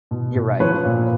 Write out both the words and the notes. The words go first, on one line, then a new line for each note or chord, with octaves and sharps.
You're right.
B2
B2
F3 B4 C#5
A#2